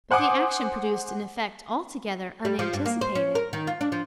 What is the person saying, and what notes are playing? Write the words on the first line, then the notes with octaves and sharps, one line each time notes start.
But the action produced an effect altogether unanticipated.
C5 F#5 G#5 D6 D#6
G3
F3
G2
A#3
C5
C#4
A#4
D#3
F4
D4
F3